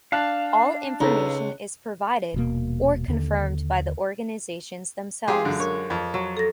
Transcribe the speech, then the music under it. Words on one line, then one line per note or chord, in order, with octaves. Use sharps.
All information is provided, or confirmed, by the organizations themselves.
D4 F5 A5 F#6
C#2 D#4 A4 B4
D#1 B2 A#3
D#2 D3
G#3 F4 G4 G#4
F#2 D3
A#4 C#5
F2
F#3
A4 A#6